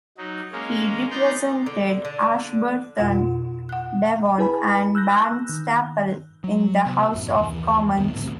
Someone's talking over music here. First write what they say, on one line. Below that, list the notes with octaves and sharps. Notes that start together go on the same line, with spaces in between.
He represented Ashburton, Devon and Barnstaple in the House of Commons.
F#3 D#4
G#3 A#3 C#4
B3 D#4 D5 A#5 C6 G6
D3
D3
F2 B2 F4
F#5 F#6
E4 G#4 B4 G#5 A5 B5
E6 F#6 G6 A#6
D#3
F#3
C3 B3
A1 F#2
D#2 E3
C2 F#2 D#3 B3
G#1 D2 A2 C3